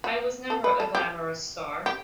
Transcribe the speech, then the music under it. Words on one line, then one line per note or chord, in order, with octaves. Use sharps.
I was never a glamorous star..
F#4
A4
B4
A4
G4
G4